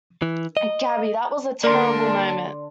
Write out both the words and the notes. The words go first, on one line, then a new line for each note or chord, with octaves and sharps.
Gabby, that was a terrible moment.
E3
D#5
D3 A#3 D4 A#4 D5 C6